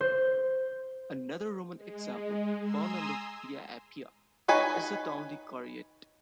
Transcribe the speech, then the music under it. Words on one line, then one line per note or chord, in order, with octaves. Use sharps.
Another Roman example, found on the Via Appia, is the Townley Caryatid.
C5
G#3
G#5 A#5 C6 D#6 E6
D#4 B4 C#5 G#5